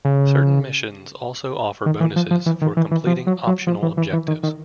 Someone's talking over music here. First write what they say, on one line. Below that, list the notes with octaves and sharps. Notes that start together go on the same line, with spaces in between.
Certain missions also offer bonuses for completing optional objectives.
C#3
D#3
E3
F3
F3
E3
D#3
E3
E3
F3
F#3
F#3
F3
E3
E3
E3
D#3
D#3